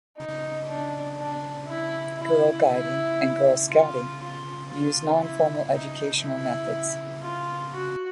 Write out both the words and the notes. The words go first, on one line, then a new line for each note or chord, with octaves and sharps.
Girl Guiding and Girl Scouting uses non-formal educational methods.
D#4
D4
D4
E4
E4
E4
F4
F4
F4
E4
D#4
E4
F4
F#4